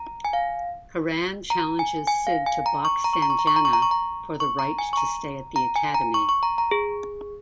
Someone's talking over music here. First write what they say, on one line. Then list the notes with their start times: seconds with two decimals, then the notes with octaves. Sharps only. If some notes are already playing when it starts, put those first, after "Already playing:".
Karan challenges Sid to box Sanjana for the right to stay at the academy.
Already playing: A#5
0.25 G#5
0.33 F5
1.50 A#5
1.79 G#5
2.08 G#5
2.27 F5
2.46 G#5
2.66 A#5
2.85 C#6
3.04 A#5
3.13 C#6
3.22 A#5
3.30 C#6
3.39 A#5
3.47 C#6
3.56 A#5
3.65 C#6
3.73 A#5
3.82 C#6
3.91 A#5
4.40 C#6
4.59 A#5
4.79 G#5
4.93 C#6
4.97 A#5
5.56 A#5
5.76 G#5
5.94 A#5
6.14 C#6
6.29 C#6
6.43 A#5
6.58 A#5
6.71 G#4